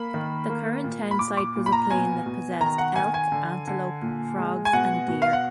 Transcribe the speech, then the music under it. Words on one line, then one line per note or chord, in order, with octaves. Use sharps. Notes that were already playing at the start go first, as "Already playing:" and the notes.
The current town site was a plain that possessed elk, antelope, frogs, and deer.
Already playing: A#3 B5
D#3
A#3
A#2
B5
A#2 D6
D6
A#2
B5
A#5
B2 G#5
B2
D#3 A#5
F#5
D#3 G#5
G#5
D3
D3
A#2
G#3
G#5
B2 F#5
B2
F5
F#5